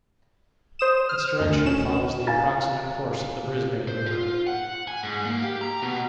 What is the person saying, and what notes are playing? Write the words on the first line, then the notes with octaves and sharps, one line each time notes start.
Its direction follows the approximate course of the Brisbane River.
C5 D#6 E7
F6
D2
C#4 E7
F5 G#5 A#5 A6
C5
F4
F#5
G#5
G#2
A#3
G4
A#5
B2